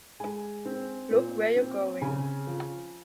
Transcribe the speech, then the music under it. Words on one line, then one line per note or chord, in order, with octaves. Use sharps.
Look where you're going!
G#3 G#5
C4
A#2
C4
C#3 G#5
F3